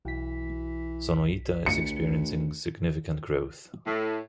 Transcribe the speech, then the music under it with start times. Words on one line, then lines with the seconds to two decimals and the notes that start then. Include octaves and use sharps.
Sonoita is experiencing significant growth.
0.05 B1 E3 B6
1.66 D2 C#7
3.86 A2